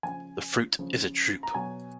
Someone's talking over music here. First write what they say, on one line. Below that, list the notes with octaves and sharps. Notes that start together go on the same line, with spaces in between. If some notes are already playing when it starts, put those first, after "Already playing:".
The fruit is a drupe.
C#3 F3 G#5
C#3 F3
A#5
B2 F#3 G#5